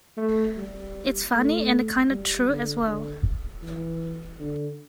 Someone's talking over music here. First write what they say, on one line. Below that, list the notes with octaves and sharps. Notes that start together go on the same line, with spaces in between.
It's funny, and kinda true as well!
A3
G3
A3
G3
D3
D3
E3
D3